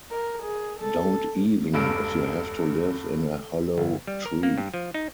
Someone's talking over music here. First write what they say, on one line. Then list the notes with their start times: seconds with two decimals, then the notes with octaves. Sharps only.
Don't even if you have to live in a hollow tree!
0.11 A#4
0.43 G#4
0.79 A4
1.74 E1 C#2 G2 A4 E6 D7
3.78 G1
4.07 G3
4.26 A#4
4.43 A#3
4.58 G2
4.74 F3
4.94 D#4